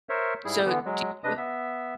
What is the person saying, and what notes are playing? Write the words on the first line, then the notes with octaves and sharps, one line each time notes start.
So do you
A#4 C5 C#5 E5
G#2 G3 E4 G#4
D3 E3 B3
F#3 G#3
C3 D4 B4 D#5 D#6
B3 E5